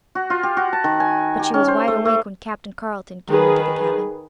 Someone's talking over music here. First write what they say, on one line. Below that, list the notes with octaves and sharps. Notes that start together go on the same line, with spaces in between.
But she was wide awake when Captain Carleton came into the cabin.
F#4
F4
G4
F#4
A5
D#3
G#5
G4
C#4
C5
A3
A3
D#3 G#4 B4